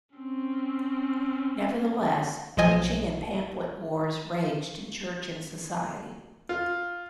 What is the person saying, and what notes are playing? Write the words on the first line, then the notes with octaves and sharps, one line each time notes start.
Nevertheless, preaching and pamphlet wars raged in church and society.
C4 C#4
B1 F3 D#5 G#5
F4